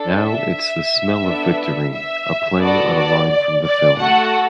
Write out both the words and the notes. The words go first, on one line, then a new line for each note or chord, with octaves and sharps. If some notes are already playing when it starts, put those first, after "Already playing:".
Now it's the smell of victory, a play on a line from the film.
Already playing: D4 A4
E5
B3 D4 A4
E5
B3 F#4 A4 D5
D5
D5
D5
A3 F#4 A4 F#5